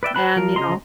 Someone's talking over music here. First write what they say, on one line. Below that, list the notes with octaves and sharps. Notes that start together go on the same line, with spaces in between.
And, you know,
B4 D5 E5 G5
C5 A5 B5 F#6
F3 A#4
C#3 D#5 A#5 C6